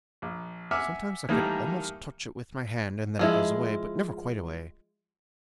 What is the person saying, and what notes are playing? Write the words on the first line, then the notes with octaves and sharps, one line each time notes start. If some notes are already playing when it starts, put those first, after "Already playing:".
Sometimes I could almost touch it with my hand, and then it goes away, but never quite away.
A#1
E5 F#5 G#5 D6 E6 F6
D#3 E3 G3 A3 A#3
F3 G#3 E4